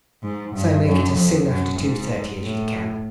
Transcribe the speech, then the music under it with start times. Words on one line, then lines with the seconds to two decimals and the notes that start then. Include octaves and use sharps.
"So make it as soon after two-thirty as you can."
0.23 G#2
0.55 G2
0.86 F#2
1.16 F2
1.48 F#2
1.79 G#2
2.42 A2